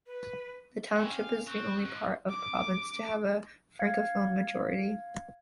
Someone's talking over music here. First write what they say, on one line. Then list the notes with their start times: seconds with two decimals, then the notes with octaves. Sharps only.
The township is the only part of the province to have a Francophone majority.
0.07 B4
0.96 E4 C#5 G5 G#5 C6
1.11 C#4 F5
1.47 C4 C#6 F#6 A#6
1.85 G#2 F#6
2.29 D6
3.79 F5 G#6 C#7